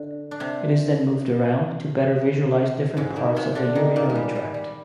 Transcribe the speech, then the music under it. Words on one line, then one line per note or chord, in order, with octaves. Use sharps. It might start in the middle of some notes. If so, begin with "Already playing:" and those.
It is then moved around to better visualise different parts of the urinary tract.
Already playing: D3 D4
D4
C3 C4
G#2 G#3
A#2 A#3
C3 C4
D3 D4
D#3 D#4
A#2 A#3
G#3
G3
G3
G3